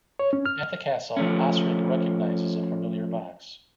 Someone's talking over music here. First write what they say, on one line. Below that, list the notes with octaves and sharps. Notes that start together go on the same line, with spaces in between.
At the castle, Osric recognizes a familiar box.
C#5
C#4
F6
F3 A3 C#4